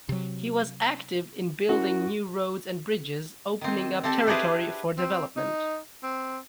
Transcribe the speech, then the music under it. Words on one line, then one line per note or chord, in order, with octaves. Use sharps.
He was active in building new roads and bridges, opening up territory for development.
C3 F#3
C#4 E4 F#4 A#4
D#3 C4
C4 G4 A4
D4 E4 G4 G#4 B4 C5
C4
D#4
C4